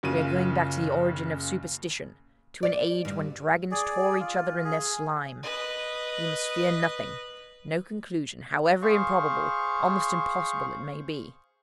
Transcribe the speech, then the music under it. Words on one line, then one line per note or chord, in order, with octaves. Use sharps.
We are going back to the origin of superstition--to an age when dragons tore each other in their slime. We must fear nothing--no conclusion, however improbable, almost impossible it may be.
F#1 C#3 F4 D#7
D5
G2
G#4 D5
F4
G#4
B4 D#5
G#4 C5 F5 C#6